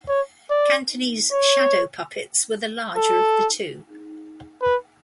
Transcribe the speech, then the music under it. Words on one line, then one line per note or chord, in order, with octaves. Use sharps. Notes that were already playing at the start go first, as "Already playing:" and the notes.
Cantonese shadow puppets were the larger of the two.
C#5
D5
C#5
A4
B4